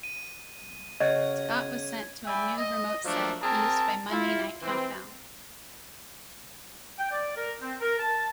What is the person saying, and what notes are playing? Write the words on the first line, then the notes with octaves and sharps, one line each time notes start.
Scott was sent to a new remote set used by "Monday Night Countdown".
D#7
C#3 F#4 D#5 G#6
D5 E5 G5 G#5 B5
D#5
F3 F#3 A3 A#3 D4
C4 G#4 A#4 A5
E4 F4
E3 C4
G5
D5
A#4
C4
A#4
A5